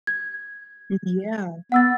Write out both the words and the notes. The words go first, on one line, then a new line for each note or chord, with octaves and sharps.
M yeah.
G#6
B3 F#5 E6 A6